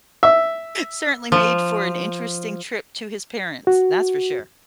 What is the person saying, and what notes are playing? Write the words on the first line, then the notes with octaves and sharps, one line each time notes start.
Certainly made for an interesting trip to his parents, that's for sure.
E5
F3
F#4